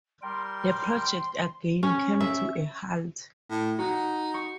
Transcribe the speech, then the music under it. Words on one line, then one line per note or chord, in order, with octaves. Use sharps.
The project again came to a halt.
G3 A#4 G5 C6
C#4
E5
A2
D#4 F#4
C#6